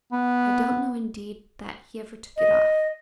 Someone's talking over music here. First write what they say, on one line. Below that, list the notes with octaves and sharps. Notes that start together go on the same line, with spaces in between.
I don't know indeed, that he ever took it off.
B3
D#5